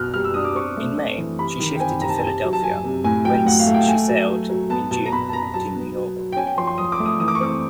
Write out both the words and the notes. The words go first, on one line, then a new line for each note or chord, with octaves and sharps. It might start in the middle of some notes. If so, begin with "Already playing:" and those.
In May, she shifted to Philadelphia, whence she sailed, in June, to New York.
Already playing: B2 B3 F6 F#6
G3 F6
E6
D4 D#6
D6
C4 C#6
A3
A3
E3
C3 B5
D#3
G5
C4 G#5
C3 A#5
A5
G#5
C3 A5
F#3
A5
F#3 G#5
C3
A2 G#5
F#3 G5
A2 F#5
F5
A3
G5
A3 G#5
F#3
F#3
F#3
B3 A5
B2 A5
A#5
B2 B5
A5
B2 A#5
F#3 A5
B3
F#3
F#3
G5
C#4 G#5
G5
F3 C6
C6
F3 D#6
D6
A3
D#6
E3 D#6
D6
C#6
C4 D6